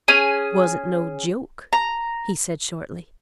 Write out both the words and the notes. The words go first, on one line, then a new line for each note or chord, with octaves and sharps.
"Twusn't no joke," he said shortly.
C#4 G#4 G#5
A#5